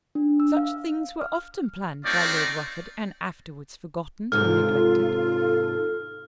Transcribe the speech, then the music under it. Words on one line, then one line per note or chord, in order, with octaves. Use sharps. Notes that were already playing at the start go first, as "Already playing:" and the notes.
Such things were often planned by Lord Rufford, and afterwards forgotten or neglected.
D4
E6
F5
F6
A3 C4 D#4 F4 C#5 D5
D#2 G#2 C3 F4 A4 F6